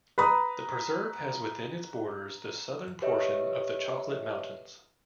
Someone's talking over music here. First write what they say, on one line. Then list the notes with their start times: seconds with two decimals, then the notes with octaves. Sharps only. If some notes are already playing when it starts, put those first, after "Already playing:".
The preserve has within its boundaries the southern portion of the Chocolate Mountains.
0.18 B4 A#5 B5 D#6
3.02 G4 B4 C#5 D#5 E5